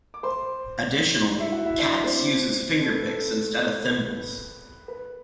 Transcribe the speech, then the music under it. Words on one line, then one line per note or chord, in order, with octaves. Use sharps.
Additionally, Katz uses fingerpicks instead of thimbles.
D6
C5 C6
E4 E5
F#4 F#5
E4 E5
D4 D5
D5
C4 C5
A4
B4
A4
B4
B4